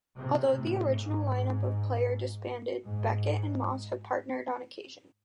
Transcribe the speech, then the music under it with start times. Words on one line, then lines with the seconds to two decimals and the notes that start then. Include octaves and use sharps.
Although the original lineup of Player disbanded, Beckett and Moss have partnered on occasion.
0.16 C3
0.55 A2
0.92 G#2
2.83 G#2